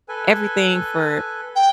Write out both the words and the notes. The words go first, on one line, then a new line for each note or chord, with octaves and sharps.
everything for
A4 B4 G#5
G5